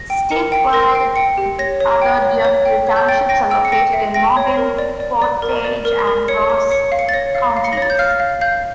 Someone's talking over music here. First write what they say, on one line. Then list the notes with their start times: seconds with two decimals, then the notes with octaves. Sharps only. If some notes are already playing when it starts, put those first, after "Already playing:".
Statewide, other Deerfield Townships are located in Morgan, Portage, and Ross Counties.
Already playing: A#6
0.10 G5
0.31 A#4 C#7
0.52 G5
0.73 A#4 A#6
0.95 G5
1.16 G5 C#7
1.38 G4
1.59 C#5 A#6
1.80 C#5
2.02 G5
2.22 C#5
2.45 C#5
2.65 G5
2.87 C#5
2.96 G6
3.09 G5 A6
3.29 G5 A#6
3.50 G5 E6
3.65 C#7
3.72 G5 A#6
3.93 E5
4.14 G5 A#6
4.37 C#5
4.57 A#4
4.79 D5
5.00 D5
5.22 D5
5.42 A#4
5.65 D5
5.85 A#4
6.07 A#4
6.28 C#5 C#7
6.50 C#5
6.71 C#5 C#7
6.92 F5
6.99 C#7
7.09 A6
7.14 C#5 A#6
7.35 F5
7.57 F5
7.64 C#7
7.73 A#6
7.77 C#5 A6
7.90 G6
7.99 F5 F6
8.20 F5
8.41 F5 G6